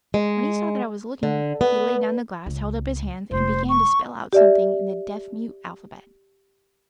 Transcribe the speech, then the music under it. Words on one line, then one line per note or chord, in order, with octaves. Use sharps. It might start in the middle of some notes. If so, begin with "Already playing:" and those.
When he saw that I was looking he laid down the glass, held up his hands, and began to spell out something in the deaf-mute alphabet.
G#3
D3
B3
C#2 C#3
F1 F4 C5
C#6
G4 D5 E5